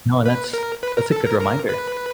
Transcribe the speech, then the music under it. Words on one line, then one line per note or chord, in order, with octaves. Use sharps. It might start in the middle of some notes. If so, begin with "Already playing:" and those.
No, that's that's a good reminder.
B4
A#4
B4
A#4
A4
A#4
A#4
B4